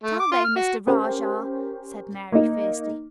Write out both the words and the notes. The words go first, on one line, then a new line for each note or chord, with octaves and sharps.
"Shall they, Mr. Rajah!" said Mary fiercely.
A3
D6
F4
F6
F#4
C#4 G4 A#4 C5
A#3 D#4